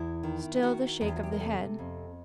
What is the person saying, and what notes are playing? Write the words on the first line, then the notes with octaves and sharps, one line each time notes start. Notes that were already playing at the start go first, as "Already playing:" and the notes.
Still the shake of the head.
Already playing: E2 E4
D#3
G4
D#3 F#4
E2 G#4
G4
F#4
G4
A#4
C3 A4
F2